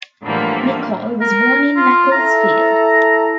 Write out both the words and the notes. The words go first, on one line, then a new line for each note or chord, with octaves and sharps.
Nicholl was born in Macclesfield.
A2 D3 E3 F3 G3 A#3
A#4
F4
E4 A4 A#5